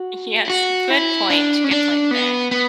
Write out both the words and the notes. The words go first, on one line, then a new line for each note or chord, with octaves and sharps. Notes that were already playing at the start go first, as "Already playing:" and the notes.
Yes. Good point. Good point there.
Already playing: F#4
E4
F#4
E4
D4
C#4
D4
B3
B3